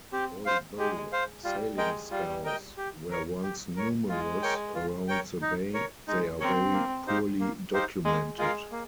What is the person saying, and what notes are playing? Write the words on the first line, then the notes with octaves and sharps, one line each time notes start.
Although sailing scows were once numerous around the Bay, they are very poorly documented.
C4 G4
C5 F5
G#3 G4
C5 F5
G3 F4
G#3 A#4 D#5 G5
G3 F4
A#4 D#5 G5
G4
A#4 C#5
G4
A#4 C#5
G#3 F4
A#4 C#5 G5
F4
A#4 C#5 G5
D#4
A#4 C#5
G#3 D#4
C4 A#4 C#5
A#3
D#4 G4 C5 F5
A#3
D#4 G4 C5 F5
G#3 A#3
G#3 F4 A#4 F5
A#3